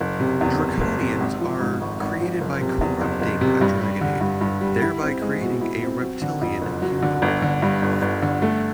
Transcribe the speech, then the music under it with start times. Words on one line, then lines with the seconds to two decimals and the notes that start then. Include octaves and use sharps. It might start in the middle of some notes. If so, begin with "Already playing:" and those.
Draconians are created by corrupting a dragon egg, thereby creating a reptilian humanoid.
0.01 F#1
0.20 C3
0.41 E2
0.60 F#1
0.81 F#1
1.01 C3
1.20 G#1
1.40 F3
1.60 G#2
1.81 G#1
2.00 G#1
2.21 F3
2.41 F#1
2.61 C3
2.81 E2
3.01 F#1
3.22 F#1
3.41 C3
3.61 G2
3.81 G3
4.01 D3
4.21 G2
4.41 G2
4.61 G3
4.82 E4
5.02 C4
5.22 G#3
5.41 B2
5.61 E4
5.82 C4
6.02 F#3
6.22 D3
6.41 F2
6.62 F#1
6.82 F#3
7.02 D3
7.22 G1
7.42 D3
7.62 G2
7.82 G1
8.02 G1
8.22 D3
8.42 A3